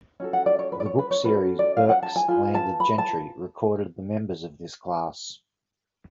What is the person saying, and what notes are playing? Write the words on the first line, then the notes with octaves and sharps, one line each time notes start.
The book series "Burke's Landed Gentry" recorded the members of this class.
C#4 F#4 A4
F#5
D5
C#5
B4
D5
C#5
B4
C#5
C#4 F#4 A4 B4
D5
F5
F#5
A5
G#5
F4 G#4 B4 G#5
A5
B5
A5